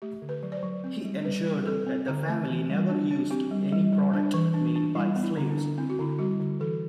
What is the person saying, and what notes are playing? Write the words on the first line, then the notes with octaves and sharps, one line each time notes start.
He ensured that the family never used any product made by slaves.
A3 G4
D3
B4
F#3
D5
C5
F#3
C4
G3
G3 B4
G3
C4 A4
C4
D3
A3
E3
G3
D4
D4
C4 G4
G3
G3
G3
D4
E3
D4
D4
G3 E4
B3
E4
D3
D4
D3
C4 E4
F#4
D3 E4
G3 F#4
D3
E3 A4